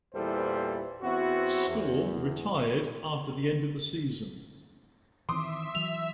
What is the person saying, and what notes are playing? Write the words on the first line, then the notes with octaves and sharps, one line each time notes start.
Stohr retired after the end of the season.
E2 A#2 E3 G3 A4 C5
E2 B3 C4 E4 F#4
E2
D#3 E3 C4 E5 C6 D6 D#6
E3 F#3 F7